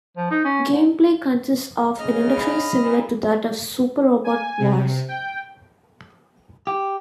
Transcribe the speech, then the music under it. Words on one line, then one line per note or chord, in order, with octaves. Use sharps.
Gameplay consists of an interface similar to that of "Super Robot Wars".
F3
D#4
C#4
G#2
G#2 C#3 D#5 F6
B5
A#2
G#5
C3
G5
G4